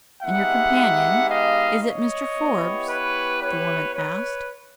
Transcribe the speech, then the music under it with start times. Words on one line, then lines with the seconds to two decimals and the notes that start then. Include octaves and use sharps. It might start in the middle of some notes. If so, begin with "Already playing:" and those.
"And your companion--is it Mr. Forbes?" the woman asked.
0.23 G#3 B3 D#4 G4 E5 F#5
1.29 D#5 F5
1.82 C#5 D#5
2.35 B3 E4 G4
2.88 B4 C#5
3.41 B4 C#5
3.94 B4 C#5